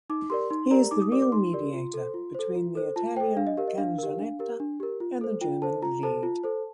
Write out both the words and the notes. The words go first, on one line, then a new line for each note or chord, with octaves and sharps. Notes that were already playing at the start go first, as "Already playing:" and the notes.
He is the real mediator between the Italian canzonetta and the German Lied.
D#4 D6
G4 A#4 D5 C6
D#4 C6
G4 A#4 D5 A#5
D#4 D6
D#6
G4 A#4 D5 D6
D6
D#4 C6
G4 A#4 D5
F4
A4 C5
F4
A4 C5
F4
A4 C5
F4 A5
A4 C5 G5
D4 F5
D#5
G4 A#4 F5
D#5
D4 F5
G4 A#4
D4
G4 A#4
D4
G4 A#4
F4
A4 C5
F4 G5
A4 C5 A5
F4 A#5
A4 C5 A5
F4
A4 C5